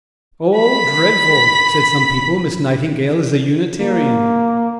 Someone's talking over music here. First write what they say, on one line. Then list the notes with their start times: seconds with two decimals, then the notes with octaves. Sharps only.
"Oh, dreadful!" said some people; "Miss Nightingale is a Unitarian!"
0.58 B5 B6
3.81 A#3